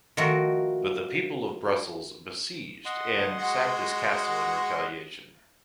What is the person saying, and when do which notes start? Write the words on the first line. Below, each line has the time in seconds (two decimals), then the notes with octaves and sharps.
But the people of Brussels besieged and sacked his castle in retaliation.
0.17 D#3 F3 A3 F#4 A#4
2.85 D#5 F#5 C6
3.38 G#3 F#4